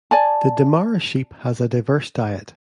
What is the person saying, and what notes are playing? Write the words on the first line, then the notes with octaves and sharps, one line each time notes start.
The Damara sheep has a diverse diet.
D5 G#5 A5